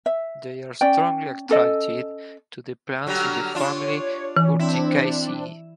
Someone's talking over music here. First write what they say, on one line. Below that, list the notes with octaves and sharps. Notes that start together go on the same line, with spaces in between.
They are strongly attracted to the plants in the family Urticaceae.
E5
C#4 D5 G5
C#4 A4 D#5
D3 F#3 G3 F6
D4 F4 C#5
E3 C#4
C4 D4 E4